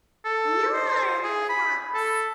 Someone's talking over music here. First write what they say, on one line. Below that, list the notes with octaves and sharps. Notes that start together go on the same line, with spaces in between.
You're the fox!
A4
C5
G#4
B5
A4